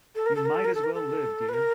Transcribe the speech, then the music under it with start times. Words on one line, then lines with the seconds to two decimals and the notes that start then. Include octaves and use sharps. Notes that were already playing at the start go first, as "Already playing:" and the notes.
You might as well live dear.
0.15 A4
0.26 A#4
0.35 A4
0.45 A#4
0.54 A4
0.64 A#4
0.74 A4
0.83 A#4
0.94 A4
1.49 B4
1.53 A#4